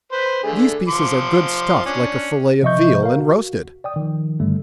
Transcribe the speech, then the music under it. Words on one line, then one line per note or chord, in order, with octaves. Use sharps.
These pieces are good stuffed like a fillet of veal, and roasted.
B4 C5
D3 A3 G#4
F3 C6 D6
C#4 D4
C3 F3 D#5 E5 C#6 G6
A#4 F5
F#4
D5 G5 D#6
D#3 F3
G2 D3 G3 A3